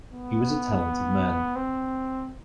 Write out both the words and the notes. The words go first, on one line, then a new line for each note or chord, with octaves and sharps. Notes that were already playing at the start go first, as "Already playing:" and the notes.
He was a talented man.
B3
C4